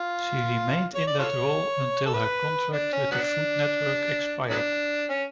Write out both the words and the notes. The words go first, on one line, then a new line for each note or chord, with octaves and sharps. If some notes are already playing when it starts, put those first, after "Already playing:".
She remained in that role until her contract with the Food Network expired.
Already playing: F4
C#5
D5
F4 A4 C#5
A4
B4
D4
C#4
F#3 B3 D4
F#3 B3 D4
C#4